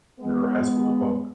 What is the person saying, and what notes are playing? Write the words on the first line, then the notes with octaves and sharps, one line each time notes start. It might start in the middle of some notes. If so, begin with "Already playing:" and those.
your high school diploma.
G#3 B3